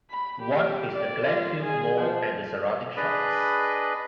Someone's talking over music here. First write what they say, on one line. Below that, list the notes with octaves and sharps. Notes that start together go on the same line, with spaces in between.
One is the Glenfield Mall and the surrounding shops.
B5
G4
D5
F4
G#4
F3
D4 G#4 B4 D5 D#5 B5